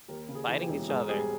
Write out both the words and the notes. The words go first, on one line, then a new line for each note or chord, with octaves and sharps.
fighting each other,
D#2 G4 A#4
C#3
G#4
E3
G4
E1
G#2 G#4
G3 G#4